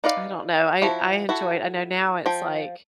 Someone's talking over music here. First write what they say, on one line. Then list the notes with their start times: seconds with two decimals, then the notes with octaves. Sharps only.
I don't know. I I enjoy it. I know now it's like
0.04 D#4 B4 D5 F5
0.82 F3 E4 F#4
1.29 E4 F#4 A4
2.26 F3 F4 G5